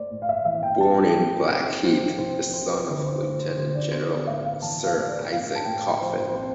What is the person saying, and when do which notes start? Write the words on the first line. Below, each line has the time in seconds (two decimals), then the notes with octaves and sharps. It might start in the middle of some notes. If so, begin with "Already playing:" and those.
Born in Blackheath, the son of Lieutenant General Sir Isaac Coffin.
Already playing: A3 C5 D5
0.11 A2
0.22 F5
0.29 E5
0.45 E3 E5
0.63 G5
0.80 C4 A5
0.98 G5
1.14 A3
1.49 C3
1.84 F3 C5
2.18 C3 C5
2.53 C4 C5
2.71 B4
2.88 D3 B4
3.05 C5
3.23 A3 C5
3.40 C5
3.57 D3 C5
3.75 D5
3.92 B3 C5
4.10 D5
4.27 A2 E5
4.44 F5
4.62 E3 A5
4.85 F5
4.96 A2
5.08 D5
5.31 A3 F5
5.56 A5
5.65 A2 G5
6.00 F3 C5
6.18 C5
6.35 C4 C5